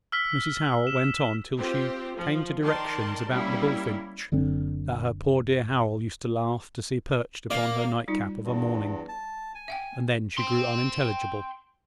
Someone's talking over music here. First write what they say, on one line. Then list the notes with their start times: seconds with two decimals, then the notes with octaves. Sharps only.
Mrs Howell went on till she came to directions about the bullfinch that her poor dear Howell used to laugh to see perched upon her nightcap of a morning; and then she grew unintelligible.
0.12 E6 F6 B6
0.87 E7
1.57 C4 F4 G4 C5
2.16 F3
2.61 D#3 A#4 D5 A5 C6
3.29 G3 A#3 C#4 E4
4.32 F#1 D3 C4
7.50 A#3 D5 F5
8.08 G3 D#4 F4
8.44 E2 G2
9.08 A5
9.55 G#5
9.68 E5 F#5 G5
10.37 G5 C6